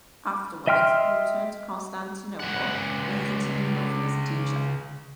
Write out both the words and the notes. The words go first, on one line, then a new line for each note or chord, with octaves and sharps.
Afterwards he returned to Constantinople, where he continued working as a teacher.
D#5 E5 G5 C6 F6
C#2 F#5